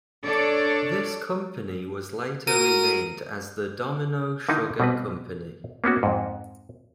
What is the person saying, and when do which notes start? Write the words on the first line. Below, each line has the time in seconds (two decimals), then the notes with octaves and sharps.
This company was later renamed as the Domino Sugar company.
0.24 D4 A4 C#5 D5
2.47 F#4 A#4 D#7
4.49 D3 D#3 D#4 E4
4.80 B2 G3 C4 B4
5.84 A#3 B3 C#4 F#4
6.03 F2 G#2